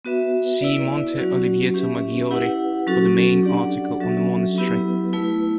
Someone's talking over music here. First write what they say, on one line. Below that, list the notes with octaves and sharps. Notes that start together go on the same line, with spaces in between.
See Monte Oliveto Maggiore for the main article on the monastery.
B3 F#4 B4 E5
E4 B4 D5
F#3 C#4 F#4
C#4 G4 B4 E5
E4 G4 B4 F#5
F#3 C#4 F#4 A4
D4 G4 D5 F#5
F#3 C#4 F#4 A4 E5
F#3 B3 E4 G4 B4
A3 E4 B4